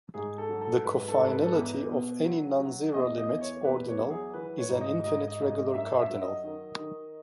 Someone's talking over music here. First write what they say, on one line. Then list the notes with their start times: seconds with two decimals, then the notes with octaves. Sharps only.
The cofinality of any nonzero limit ordinal is an infinite regular cardinal.
0.14 G#2 G#4
0.38 A4
0.49 F#3
0.61 A4
0.84 G#2 B4
1.08 A4
1.19 G#2
1.31 B4
1.42 A4
1.52 E2 B4
1.90 B2
2.24 F#3
2.59 F#3
2.94 E2 D#5
3.18 D#5
3.29 E2
3.41 C#5
3.64 E2 B4
3.88 C#5
3.99 F#3
4.10 G#4
4.34 E3 B4
4.58 C#5
4.69 G#2
4.81 D#5
5.04 G#2 D#5
5.28 D#5
5.40 G#2
5.51 D#5
5.74 F#2 E5
5.98 E5
6.10 F#3
6.21 D#5
6.44 D#3
6.79 D#3